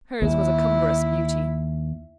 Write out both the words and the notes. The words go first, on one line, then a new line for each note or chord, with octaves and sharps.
Hers was a cumbrous beauty.
D#2 E4